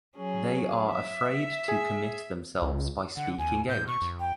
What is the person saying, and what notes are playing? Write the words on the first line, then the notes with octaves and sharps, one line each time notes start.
They are afraid to commit themselves by speaking out.
F#3 C#4 G#4
E5
G#4 G#5
C#2
D3 F#5
D#2 G#5
A2 G6
B2 C#6
F2
G5